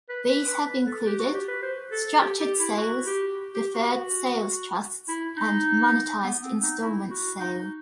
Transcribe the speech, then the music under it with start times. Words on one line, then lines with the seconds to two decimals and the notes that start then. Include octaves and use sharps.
These have included: Structured Sales, Deferred Sales Trusts and Monetized Installment Sale.
0.09 B4
0.29 B4
0.48 B4
0.67 B4
0.86 A4
1.06 G4
1.19 F#4
1.34 G4
1.48 B4
1.62 C5
1.91 A4
2.07 A4
2.21 G4
2.40 G4
2.59 E4
2.77 F#4
3.07 G4
3.54 G4
3.74 F#4
5.08 E4
5.37 D#4
6.24 B3
6.43 C4
6.62 D#4
6.82 E4
7.11 F#4
7.39 D#4